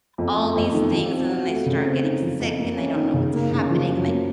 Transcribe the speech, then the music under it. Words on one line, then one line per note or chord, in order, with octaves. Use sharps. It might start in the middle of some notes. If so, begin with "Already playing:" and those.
all these things, and then they start getting sick, and they don't know what's happening, and like,
F2
A3
F2
D#3
F3
C4
F#4
A3
C#3
C4
D#4
F3
F2
A#3
C#4
D#3
C#3
A#3
C#3
F3
F#2
A#3